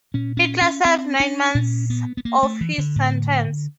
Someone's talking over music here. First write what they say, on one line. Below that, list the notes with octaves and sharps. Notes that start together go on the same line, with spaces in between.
Hitler served nine months of his sentence.
A#2 C#4
C#4
C#4
C4
D4
A#2 C#4
B3
B3
A#3
A3
E3
D3
A2